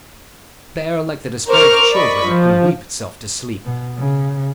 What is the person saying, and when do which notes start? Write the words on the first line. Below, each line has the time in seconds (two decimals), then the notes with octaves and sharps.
Despair like the despair of children that can weep itself to sleep....
1.47 A#4 C5 C#6 D6 F6
1.93 D5 D#5 B5 C#6
2.25 F3
3.65 B2
3.98 C#3